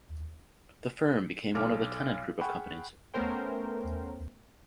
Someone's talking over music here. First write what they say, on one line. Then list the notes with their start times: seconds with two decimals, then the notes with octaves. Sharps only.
The firm became one of the Tennant group of companies.
1.55 B1 A4 D6 F6
2.41 G#4 F#5 G5 B5 C#6
3.14 A3 B3 C#4 A#4 C5 G5